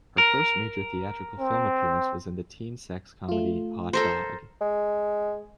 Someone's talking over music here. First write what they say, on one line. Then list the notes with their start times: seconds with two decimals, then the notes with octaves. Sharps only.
Her first major theatrical film appearance was in the teen sex comedy Hot Dog...
0.18 A#4
1.40 C4
3.29 A3 F4
3.93 A4 A#4 C5
4.61 G#3